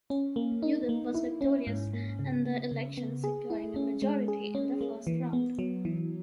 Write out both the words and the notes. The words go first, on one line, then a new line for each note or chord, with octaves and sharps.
Uribe was victorious in the elections, securing a majority in the first round.
C#4
A#3
D#4
A#3
E4
C#4
G#2
A#3
C#3
A#3
C#3
B3
G#4
E4
C#4
G#3
G#4
C#4
A#3
E3
B3
F#3
E3